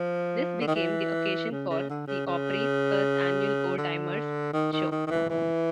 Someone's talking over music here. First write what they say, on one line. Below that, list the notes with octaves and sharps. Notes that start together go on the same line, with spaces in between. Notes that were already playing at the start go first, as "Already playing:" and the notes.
This became the occasion for the Opry's first annual Old Timers' Show.
Already playing: F3
D3
D#3
E3
C#3
C#3
D3
C#3
C#3
D3
D#3
D#3
D#3
D#3
E3
E3